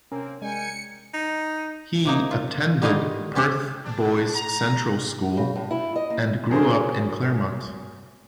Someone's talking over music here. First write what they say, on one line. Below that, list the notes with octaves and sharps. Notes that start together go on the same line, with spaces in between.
He attended Perth Boys Central School and grew up in Claremont.
C3 A#3 C4 C#4 A#4 A#5
G#3 A#4 D5 G5 G#5 C#7
D#4
C3 A#3 D#4
F4
D3 D#3 G3 F4 D#5 F5
C4 C#4 G4 C5
D4
A#5
C#3
A2
E4
D#5
A#3
F#3 C#4 G#4 A#4 C5